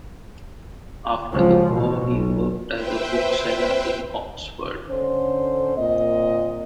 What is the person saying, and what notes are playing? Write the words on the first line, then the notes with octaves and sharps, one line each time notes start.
After the war, he worked as a bookseller in Oxford.
C#2 F3
A1 B2
B1
B4 C5 E5 G5
D3 C#4 C5
A#2 C4 D#5